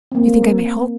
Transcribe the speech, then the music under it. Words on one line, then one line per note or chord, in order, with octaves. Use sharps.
You think I may hope?
A#3 C4